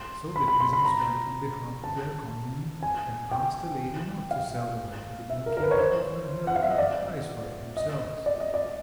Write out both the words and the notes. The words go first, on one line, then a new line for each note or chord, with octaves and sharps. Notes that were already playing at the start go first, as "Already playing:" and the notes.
So the peasants went on behalf of their Commune, and asked the lady not to sell the land to the innkeeper; offering her a better price for it themselves.
Already playing: C6
B5
B5
C6
B5
A#5
A5
G#5
G5
F5
E5
A#4
A#4
B4
C#5
C5
F#5
F5
E5
D#5
D5
D#5
D5
D#5
D5